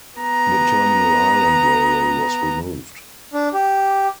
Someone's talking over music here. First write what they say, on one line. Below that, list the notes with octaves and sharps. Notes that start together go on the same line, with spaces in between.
The Terminal Island Railway was removed.
B3 A#5
D4
G4